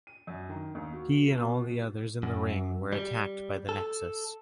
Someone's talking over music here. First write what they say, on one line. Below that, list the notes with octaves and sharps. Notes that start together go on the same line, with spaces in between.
He and all the others in the ring were attacked by the Nexus.
D#7
F#2
D#3
D#2
F#4
B2
F#2
G3
A4